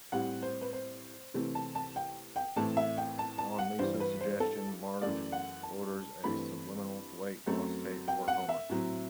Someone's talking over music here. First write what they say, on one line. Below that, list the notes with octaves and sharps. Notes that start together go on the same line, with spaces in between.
On Lisa's suggestion, Marge orders a subliminal weight loss tape for Homer.
A2 G3 C4 F#5
C5
B4
C5
C3 E3 A3 C4
A5
A5
G5
G5
A2 E3 A3 C4 A5
E5
G5
A5
A5
F#5
G2 E3 G3 C5
B4
C5
A4
F#2 E3 A3 D5
F#5
A5
G2 E3 A3 C4 B5
F#2 F#3 A3 C4
G5
F#5
E5
A2 F#3 C4